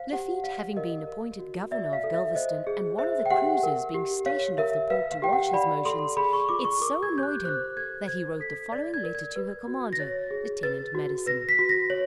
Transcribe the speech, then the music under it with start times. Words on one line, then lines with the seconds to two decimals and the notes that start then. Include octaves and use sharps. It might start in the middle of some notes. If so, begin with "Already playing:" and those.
Lafitte having been appointed governor of Galvezton and one of the cruisers being stationed off the port to watch his motions, it so annoyed him that he wrote the following letter to her commander, Lieutenant Madison.
Already playing: C5 F5
0.12 G4 F#5
0.44 D5 F5
0.77 A#4 D#5
1.07 A#4
1.39 F#4
1.71 D5 E5
1.93 F5
2.04 A4
2.14 E5
2.35 C5 D#5
2.67 G#4
2.98 C5 E5
3.26 G5
3.30 G4 F#5
3.63 A#4
3.94 G4
4.26 C#5 F5
4.58 A#4 E5
4.90 B4 F5
5.12 F5
5.22 G4 G5
5.33 F#5
5.53 D5 B5
5.85 A4 C6
6.17 G#4 B5
6.33 C#6
6.49 F4 D6
6.65 C#6
6.81 A#4 D6
7.03 G#6
7.13 G4
7.18 G6
7.23 F#6
7.44 C5 F#6
7.76 A4 G#6
8.08 C5 G#6
8.40 A4 B6
8.72 D5 A6
8.94 G#6
9.03 A#4
9.15 G#6
9.36 B4
9.67 F#4
9.93 A#6
9.99 C#5 A6
10.31 G#4
10.63 B4 A6
10.95 F#4
11.26 B4 A#6
11.49 B6
11.59 F#4
11.69 A#6
11.90 C#5